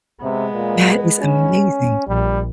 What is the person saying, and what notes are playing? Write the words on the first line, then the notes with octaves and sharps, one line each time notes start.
That is amazing.
C3 G#3 B3
A#2
C#4
A#1 G3